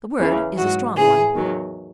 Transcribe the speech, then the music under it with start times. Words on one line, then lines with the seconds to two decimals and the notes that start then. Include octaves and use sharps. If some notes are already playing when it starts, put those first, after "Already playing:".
The word is a strong one.
0.19 E2 C#3 E3
0.57 G#2 F#3 F#4
0.96 A2 E3 G#4
1.34 E2 D#3 F#3